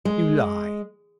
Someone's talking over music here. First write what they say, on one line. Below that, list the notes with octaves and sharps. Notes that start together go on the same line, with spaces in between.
"You lie!"
G#3